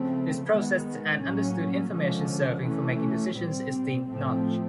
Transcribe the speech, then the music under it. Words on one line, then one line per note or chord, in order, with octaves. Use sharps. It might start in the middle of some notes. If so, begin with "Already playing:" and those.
This processed and understood information serving for making decisions is deemed knowledge.
Already playing: C#3 F3 A3 C4
D#3 G#3 B3
A2 F#3 A#3 C#4
D3 F3 G#3 C#4
E3 A3 C#4
A#2 G3 C4
A2 F3 A3 C4